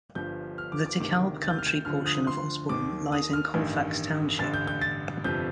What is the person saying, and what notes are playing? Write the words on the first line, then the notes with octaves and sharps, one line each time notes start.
The DeKalb Country portion of Osborn lies in Colfax Township.
G1 G2 F3 G6
F6
D6
D6
D2 C3 D#3 D6
A6
G6
F6
G6
D2 D3 F3 F6
D#6
C6
D#2 D#3 D6
D#6
F6
A1 G2 D#3
A1 G2 D3 A6
G6
G6
A6
G1 F2 C3 F3 G6